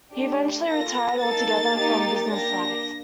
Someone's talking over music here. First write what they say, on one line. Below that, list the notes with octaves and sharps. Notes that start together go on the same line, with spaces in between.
He eventually retired altogether from business life.
A3 D4 G4
A#3 F4 A4 A#6
A#3 D#4 A4 A6
A#3 D#4 G4
A#3 D4 G4 A#6